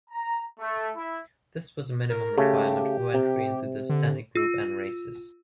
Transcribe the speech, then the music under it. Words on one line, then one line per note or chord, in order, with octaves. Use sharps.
This was a minimum requirement for entry into the Stannic Group N races.
A#5
A3
E4
A#4
C#3 A3 G4
C3
D3
F4 E6